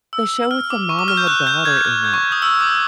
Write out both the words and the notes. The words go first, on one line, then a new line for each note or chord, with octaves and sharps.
the show with the mom and the daughter in it.
E6
F6
D6
C#6
D6
F6
G6
F#6
G6
G#6
G6
G6
C#6
D#6
E6
D6